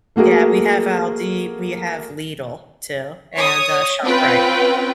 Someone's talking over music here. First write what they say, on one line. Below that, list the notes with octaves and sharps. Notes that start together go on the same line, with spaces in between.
Yeah, we have Aldi, we have Lidl too, and uh, ShopRite.
A3 A#3 F#4 G#4 A#4
C#5 D#6
C4 C#4 F4 B4 G5